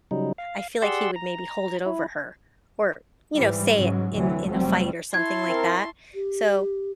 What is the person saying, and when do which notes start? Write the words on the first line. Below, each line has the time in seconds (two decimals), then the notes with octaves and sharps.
I feel like he would maybe hold it over her, or, you know, say it in in a fight or something like that, so
0.11 C#3 F#3 G3 D#4
0.38 F5
0.82 G4 G#4 D5 F#5 C6 E6
1.16 A#5
1.86 E4
3.36 G#2 E3 G3
3.76 G#2 C#3 F#3
4.14 D2 C3 E3 F#3
4.48 F1 F#3 G3 A3 C4
5.14 E4 A5 C6 C#6 G#6
5.48 C4 A#4
6.15 G4